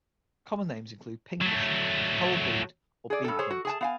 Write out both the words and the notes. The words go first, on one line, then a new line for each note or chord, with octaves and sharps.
Common names include pincushion, coral bead or bead plant.
F#3 A3
G#4 D5
G2 A4
G#4 C5 C#5
F#4
G#4 G#5 A5
B3 F5 G#5